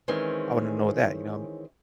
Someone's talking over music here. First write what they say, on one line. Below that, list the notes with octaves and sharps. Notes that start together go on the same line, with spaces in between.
I wanna know that, you know, and
D#3 E3 G#3 C4 C#4